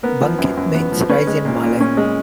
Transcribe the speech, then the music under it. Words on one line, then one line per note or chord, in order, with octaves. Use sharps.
Bangkit means "rise" in Malay.
B3 A#4
F3
F#2
F#2
B3
F3
C#4 B4
G#3
A#2
A#2
C#4
G#3